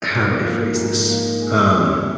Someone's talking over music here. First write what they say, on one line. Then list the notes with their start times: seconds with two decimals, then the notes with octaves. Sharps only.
How do I phrase this? Um,
0.09 G#2
0.42 F3 A#3
0.76 G#2
1.09 F3 A#3
1.41 G#3
1.75 C#4 G4 C#5